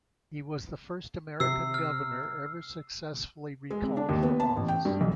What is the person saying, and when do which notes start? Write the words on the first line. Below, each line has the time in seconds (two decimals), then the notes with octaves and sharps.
He was the first American governor ever successfully recalled from office.
1.40 C3 E6 C7
1.74 F6
3.70 G#3
3.84 C3
3.97 D4
4.09 D#2
4.23 B3
4.40 A5
4.56 A1
4.68 G5
4.85 G2
5.01 B1